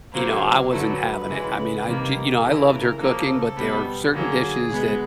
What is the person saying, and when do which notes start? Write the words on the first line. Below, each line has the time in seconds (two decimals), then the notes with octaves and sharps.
you know, I wasn't having it. I mean I g you know, I loved her cooking, but there are certain dishes that,
0.13 C#3 F#3 A#3 C5
0.70 D3 F#3 A3 B4
1.28 C#3 E3 G#3
1.85 C3 D#3 G3 A#3
2.41 C#3 E3 A3 A#4
2.71 A#4
2.98 C#3 F3 A#3 A4
3.56 B2 G3 B3
4.13 D3 F#3 A#3 G#4
4.70 B2 G#3 B3